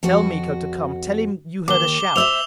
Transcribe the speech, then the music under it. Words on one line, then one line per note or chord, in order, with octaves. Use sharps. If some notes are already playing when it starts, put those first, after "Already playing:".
Tell Miko to come--tell him you heard a shout.
F2 F#4
D#2 D6 G7
C5 D5 E5 E6 F7